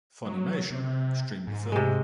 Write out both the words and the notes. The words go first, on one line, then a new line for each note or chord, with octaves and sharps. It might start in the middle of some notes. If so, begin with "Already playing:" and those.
Funimation streamed the film.
F#3
C3
G#2
G#2 C3 G#3